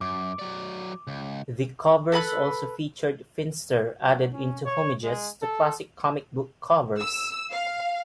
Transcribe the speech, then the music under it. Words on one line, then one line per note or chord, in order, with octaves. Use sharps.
The covers also featured Finster added into homages to classic comic book covers.
F#2 D6
F#3 D5
C#2
A4 B4 B5 F#6
F#3
C#4
C#5
G#3
A4
E6
F5